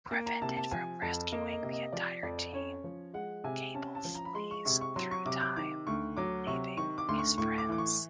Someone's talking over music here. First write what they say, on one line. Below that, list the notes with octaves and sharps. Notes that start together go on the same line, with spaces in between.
Prevented from rescuing the entire team, Cable flees through time, leaving his friends.
A#3
A#5
C3 A5
A5
F3 G#5
F2 A5
A#3 D#5
D#5
C3
D#5
F3 D5
F2 D5
C#4 C#5
F3
G#3 F#5
C3 G#5
C#4 A5
A5
F3
A#5
B5
G#3 C6
C#6
C3 C#6
C#6
F#3 C6
C#6
C3 D6
D6
D#3 D6
D2 C#6
F#3 D6
C3 C#6
D#3 C#6
D6
D2 C6
C#6
A2 C#6
D6
E3 D6
C#6